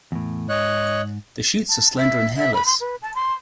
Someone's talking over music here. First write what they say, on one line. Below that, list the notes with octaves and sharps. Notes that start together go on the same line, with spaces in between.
The shoots are slender and hairless.
E2 A2
G#2 C#5 D#5 F#6
A5
E5
E5
B5
C6
B4
A5
C6